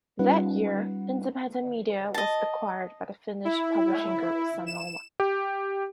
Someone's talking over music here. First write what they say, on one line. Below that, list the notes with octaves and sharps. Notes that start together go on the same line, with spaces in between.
That year, Independent Media was acquired by the Finnish publishing group Sanoma.
G3 C#4 D#4 F4 B4 F#5
D#5 A5
E4
E7
G4